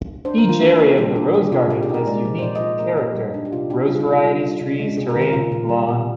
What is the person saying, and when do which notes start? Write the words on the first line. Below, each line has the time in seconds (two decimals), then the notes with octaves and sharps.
Each area of the rose garden has unique character: rose varieties, trees, terrain, lawn.
0.25 D4 C5
0.38 A#4
0.44 D#3 F4
0.62 D4
0.79 A#3
0.98 G3 G4
1.16 D4
1.34 G3 G4
1.52 C3 F4
1.70 C4 G4
1.83 G#4
1.89 D#4 A#4
2.07 G#3 D5
2.25 F3
2.39 C5
2.42 A#2 D5
2.55 D#5
2.61 F3
2.79 A#3 A#4
2.97 D#4 G4
3.15 G3 D#4
3.34 D4
3.45 G4
3.53 C3 F4
3.70 D4 G4
3.88 G3 F4
4.00 D#4
4.06 C3
4.12 F4
4.24 G3 F4
4.43 G3
4.61 C3
4.80 G#3
4.97 C3 G#4
5.09 A#4
5.16 D#3
5.22 A#4
5.33 A#2 F4
5.52 A#2
5.69 G3
5.88 A#2